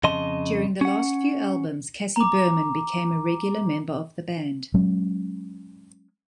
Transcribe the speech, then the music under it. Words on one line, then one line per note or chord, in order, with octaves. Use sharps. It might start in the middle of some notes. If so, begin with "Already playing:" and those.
During the last few albums, Cassie Berman became a regular member of the band.
F2 C#3 D#5 A5 C6
C#4 F#5
A#5 D6
F#3 G#3 C#4